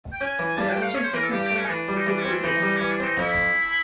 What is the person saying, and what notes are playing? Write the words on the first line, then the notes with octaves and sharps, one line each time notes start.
There are two different cuts of this video.
G5
C#4 G#5
E3
G2 A5
G5
A3
F5
C#4 C#5
C5
E3 A#4
A4
G2 G4
G4
A3
C#4
D#4
E3 D4
G3
D#4
E3 D4
C#4
C4
D4
E3 D#4
G3 D#4
E3 C#4
D4
C4 D#4
F2 E4